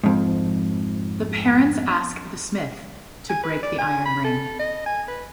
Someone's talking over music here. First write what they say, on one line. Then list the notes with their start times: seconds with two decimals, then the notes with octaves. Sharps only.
The parents ask the smith to break the iron ring.
0.04 F2 G#2
3.29 G#5
3.43 B4
3.63 D5
3.78 G#5
4.05 B5
4.24 A4
4.59 D#5
4.86 G#5
5.08 B4